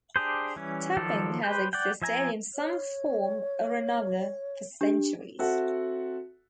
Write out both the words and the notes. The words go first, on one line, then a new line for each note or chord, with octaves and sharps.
Tapping has existed in some form or another for centuries.
D4 G4 G#4 C5
E3 G3 C#4
D#3 F3 F#3 A4 D5
G4 B4 C5 G5
D5 F#5 G5
F3 E5 G#5 A#5
C#5
D4 G4
C4 F#4 A4 E5 F#5